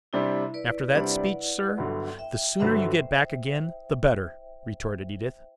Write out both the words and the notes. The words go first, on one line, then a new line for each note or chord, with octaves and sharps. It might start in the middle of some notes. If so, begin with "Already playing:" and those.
"After that speech, sir, the sooner you get back again the better!" retorted Edith.
C3 G3 D4 E4
B4 D5
C3 G3 D4 D5 F#5
G1 G2 D3 F#3
E5 G5
G1 G2 D3 F#3 C5 E5